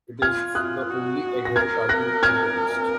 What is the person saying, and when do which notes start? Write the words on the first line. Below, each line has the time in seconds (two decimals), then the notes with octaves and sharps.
It is the only Egghead cartoon on the list.
0.22 F4 F6 G#6
0.55 D#6 F#6
0.90 F#4
1.45 A#6
1.56 A#4 F6 G#6
1.89 F#6 A#6
2.23 F6 G#6